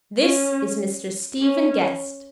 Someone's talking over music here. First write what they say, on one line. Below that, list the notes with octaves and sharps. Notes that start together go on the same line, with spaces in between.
"This is Mr. Stephen Guest."
C#4
C#4